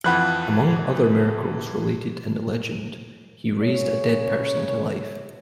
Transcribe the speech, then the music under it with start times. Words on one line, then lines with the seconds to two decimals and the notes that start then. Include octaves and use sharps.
Among other miracles related in the legend he raised a dead person to life.
0.04 F2 E3 F3 F#5 B5 F#6
3.63 C#3 C#5